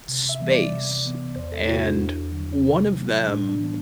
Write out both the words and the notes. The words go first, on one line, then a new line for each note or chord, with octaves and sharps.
space, and one of them
C3
E5
E3 G3 B3
D5
C3
E3 B3
E2 C5
A4
E4
C3 G3 B3 F#4
D4
E2
D3 F#3
C3
F#3 A3
A2 D4
D4
E3 G3 B3